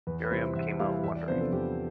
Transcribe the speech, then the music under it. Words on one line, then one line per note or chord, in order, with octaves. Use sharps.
Miriam came out wondering.
E2 B4
B4
C3 G3 C4 E4 C5
E2 E5
C3 G3 C4 E4 F5
E2 E5
D5
C3 F3 B3 D4 C5
A4
E2 G4